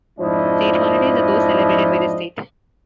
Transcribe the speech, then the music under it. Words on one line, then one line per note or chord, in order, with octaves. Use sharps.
State holidays are those celebrated by the state.
F2 G#2 F3 D4 E4 D#5